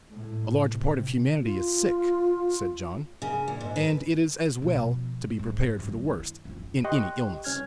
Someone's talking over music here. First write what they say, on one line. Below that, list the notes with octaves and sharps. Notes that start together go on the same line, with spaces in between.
"A large part of humanity is sick," said John, "and it is as well to be prepared for the worst in any illness."
A2
C3
F4
C#3
A#2
G#2
B4
B2 F3
G#2
G2 D#3
E4
F#2 F4
G4 D#5 G5 C6 C#6 F#6
C2 C#4 F6 G#6